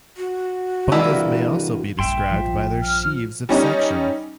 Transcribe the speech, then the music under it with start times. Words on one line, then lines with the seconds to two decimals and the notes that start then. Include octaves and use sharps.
Bundles may also be described by their sheaves of sections.
0.17 F#4
0.92 G2 C3 E3 G#3 A#3 E4 D5
1.99 A#1 G2 E5 G5 C6
2.31 F3
2.82 F6
3.49 G3 C#4 D#4